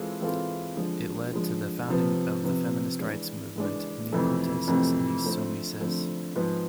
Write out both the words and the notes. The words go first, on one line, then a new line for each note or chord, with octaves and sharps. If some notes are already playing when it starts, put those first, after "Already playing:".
It led to the founding of the feminist rights movement Ni Putes Ni Soumises.
Already playing: E3 G#3 C4 F4 A4
E3 G#3 C4 F4 A4
D3 F3 G#3
D3 F3 G#3
C3 F3 B3
C3 F3 B3
E3 G#3 D4
E3 G#3 D4
F2 C3 E3 A3
F2 C3 E3 A3
D3 F3 A3 C4
D3 F3 A3 C4
G#2 F3 B3